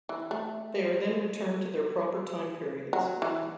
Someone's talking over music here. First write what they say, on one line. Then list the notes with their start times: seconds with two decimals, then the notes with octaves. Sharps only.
They are then returned to their proper time periods.
0.09 E3
0.31 A3
2.93 F#3
3.22 E3